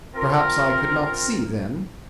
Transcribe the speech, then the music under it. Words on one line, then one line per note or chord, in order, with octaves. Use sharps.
Perhaps I could not see then.
C4 F4 A#4